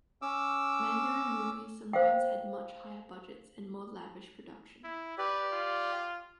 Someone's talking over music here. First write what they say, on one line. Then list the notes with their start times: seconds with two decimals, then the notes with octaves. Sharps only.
Mandarin movies sometimes had much higher budgets and more lavish production.
0.22 C#4 D6 E6
1.93 C5 F5 G5
4.84 E4
5.18 G4 B4 D5
5.53 F4